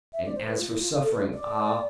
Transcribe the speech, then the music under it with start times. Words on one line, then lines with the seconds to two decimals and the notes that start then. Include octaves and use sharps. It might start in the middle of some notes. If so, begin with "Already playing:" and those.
And as for suffering--ah!
0.13 E5
0.25 D5
0.35 C5
0.47 B4
0.57 F4
0.68 E4
0.79 F4
1.01 A4
1.13 B4
1.34 D5